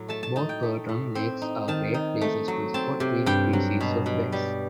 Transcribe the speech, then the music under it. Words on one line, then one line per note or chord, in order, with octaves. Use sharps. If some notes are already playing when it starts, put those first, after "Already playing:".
Both Perton lakes are great places to spot three species of bats.
Already playing: A2 F#3
A3 A5
A5
D#4 A5
G5
A3
A2
C4
D#4
D#3 A5
D#4
A3
F#3
C4 A5
C3
G2 G5
F#3
B2
B2
G3